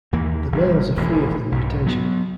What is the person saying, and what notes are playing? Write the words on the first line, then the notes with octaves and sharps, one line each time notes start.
The males are free of the mutation.
D#2 E3 A#3
G1 C3
E1 A1 D2 E3
B1 G#2
F#3 B3